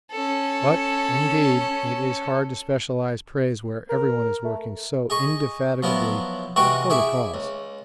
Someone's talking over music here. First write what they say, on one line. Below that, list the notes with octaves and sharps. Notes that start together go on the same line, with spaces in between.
But, indeed, it is hard to specialise praise where everyone is working so indefatigably for the cause.
C#4 A4
A#4
A3
G#4 D#5 C#6
F3 F#3 B3 E4
C3 E3 G#3 F#4 G5 C#6
E4 G#4 D5 E5
C#2